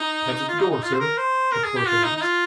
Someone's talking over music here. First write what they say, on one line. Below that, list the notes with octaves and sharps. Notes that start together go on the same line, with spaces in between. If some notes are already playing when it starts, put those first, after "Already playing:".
"Cab's at the door, sir," a clerk announced.
Already playing: D#4
F4
D#4
D#4
F4
C5
A#4
C5
A#4
G#4
G4
F4
D#4
D#4
F4